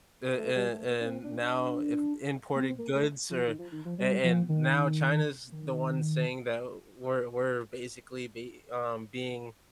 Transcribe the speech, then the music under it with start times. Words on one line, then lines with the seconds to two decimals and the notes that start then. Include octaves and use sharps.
uh, and and now if imported goods or and and now China's the one saying that, uh, "We're we're basically be um, being,
0.38 A3
0.55 G3
0.72 A3
0.89 A#3
1.01 D4
1.06 C4
1.24 D4
1.41 D4
2.55 A#3
2.60 C4
2.78 A#3
2.94 A3
3.30 F3
3.47 D#3
3.59 F3
3.72 D#3
3.85 F3
3.98 G3
4.24 F3
4.49 D#3
5.52 D#3